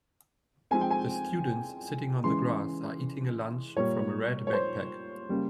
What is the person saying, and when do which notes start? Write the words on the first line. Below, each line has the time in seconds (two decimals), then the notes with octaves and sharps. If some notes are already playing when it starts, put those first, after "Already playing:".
The students sitting on the grass are eating a lunch from a red backpack.
0.71 F3 G#3 C4 G#5
0.81 G5
0.90 G#5
2.24 C#3 E3 G#3 C6
3.76 A#2 G3 A#3 C#5
4.47 C#5
4.53 C5
5.29 C#3 G3 A#3